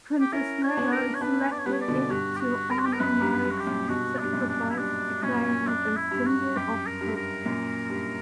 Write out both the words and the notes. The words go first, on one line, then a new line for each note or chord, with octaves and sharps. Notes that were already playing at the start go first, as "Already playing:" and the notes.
Princess Leia selected it to honor Marek's sacrifice, declaring it a "symbol of hope".
G4
C#4 E4 A#4
C#5
B3 D4
A#4
C#5
B3 D4 B4
D5
C#5
G3 B3 B4
C#5
D5
B2 D3
G2 F#4
G4
F#4
A#4
F#4
G4
A#4
F#2 B4
G2
B4
G2
F#4
G4
F#2 A#2
G2 B2 F#4
G2 D4
F#2 A#2
D4
E4
G2 D4
F#2 A#2 C#4
F#2 D4
E4
G2
F#4
F#2 G4
A#4
G2
A#4
F#2 A#2
G2